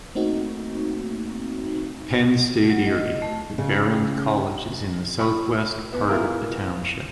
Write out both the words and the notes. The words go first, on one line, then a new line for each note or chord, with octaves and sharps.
Penn State Erie, The Behrend College is in the southwest part of the township.
A3 A#3 C4 D#4 F#4
F#3
D#5
A3
C#3
B5 C#6
B3
B3 E4 F4 G#4 A#4